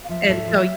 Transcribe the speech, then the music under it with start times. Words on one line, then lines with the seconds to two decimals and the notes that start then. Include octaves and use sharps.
and so,
0.04 F5
0.09 F3 E5
0.29 A2
0.47 F3